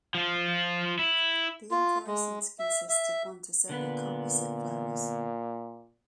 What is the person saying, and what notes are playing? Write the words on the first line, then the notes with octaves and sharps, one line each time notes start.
The inflorescence consists of one to several composite flowers.
F3 F4
E4
F4
G#3
E5
E5
A#2 D3 B3 B4